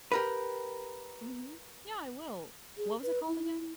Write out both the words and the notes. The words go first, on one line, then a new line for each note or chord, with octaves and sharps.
Mhm. Yeah, I will. What was it called again?
G4 A#4 B4
G#4
B4
E4